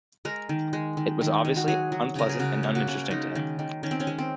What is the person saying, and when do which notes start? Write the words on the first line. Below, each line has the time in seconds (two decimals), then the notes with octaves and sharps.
It was obviously unpleasant and uninteresting to him.
0.25 G#3 A#4
0.49 D#3
0.73 G#3
0.97 D#3
1.21 D#3
1.45 G#3
1.56 F#4
1.68 F#3 G#4
1.92 F#3
2.15 C#3 A#4
2.29 G#4
2.39 C#3 F#4
2.63 A#3
2.75 F#4
2.87 C#3
3.11 G#3 D#4
3.35 D#3
3.59 D#3
3.83 D#3 C#4
3.91 C4
4.00 C#4
4.07 G#3
4.18 C4